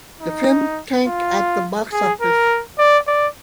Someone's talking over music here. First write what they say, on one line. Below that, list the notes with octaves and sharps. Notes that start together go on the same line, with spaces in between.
The film tanked at the box office.
D#4
F4
G#4
A#4
D5
D5